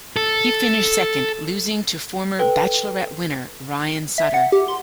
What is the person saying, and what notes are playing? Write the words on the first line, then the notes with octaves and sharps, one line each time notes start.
He finished second, losing to former "Bachelorette" winner Ryan Sutter.
A4
A4 B4 G5
E5
F#5
G4
C6